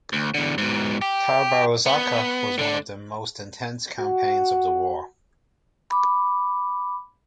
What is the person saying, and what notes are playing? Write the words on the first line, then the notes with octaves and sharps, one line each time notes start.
Tabaruzaka was one of the most intense campaigns of the war.
D2
E2 D3
G#2 B2
G4
B3
D3 D4
F#4
B5 D6